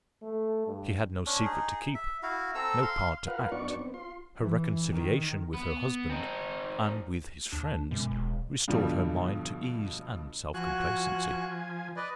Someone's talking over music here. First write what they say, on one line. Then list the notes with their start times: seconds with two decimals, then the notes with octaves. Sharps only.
She had no secret to keep--no part to act; her reconciliation with her husband and with his friends restored her mind to ease and self-complacency.
0.22 A3
0.67 G2
1.26 C#4 D4
1.45 D#4 G#4
1.95 E5
2.23 E4 F#4 F5
2.55 C4 A4 A#5 E6
2.82 F5 C6
3.27 F4 A#4 B4 F5 F#5
3.52 F#2 B3 D4 D#4 D5 C#6
3.79 B3 C4
3.94 F4 C6
4.39 E3
4.91 D#3
5.54 B3
6.10 C4 D#4
7.52 D#2 D4
7.91 F#2 B2 F#3 G#3
8.11 D1
8.68 G2 B2 D3 F3 G3
10.54 F3 F#4 G#5 F#6
11.96 B4 D5 D#5